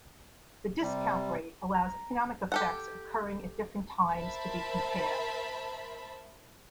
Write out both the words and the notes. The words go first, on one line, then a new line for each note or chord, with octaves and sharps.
The discount rate allows economic effects occurring at different times to be compared.
C3 G3
A#5
G4 A4 F#5
A#4 C5 E5 A5 B5